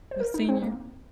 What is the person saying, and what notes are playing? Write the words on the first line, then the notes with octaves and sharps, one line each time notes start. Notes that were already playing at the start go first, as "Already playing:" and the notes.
the senior.
C5
A#4
D#4
C4
A#3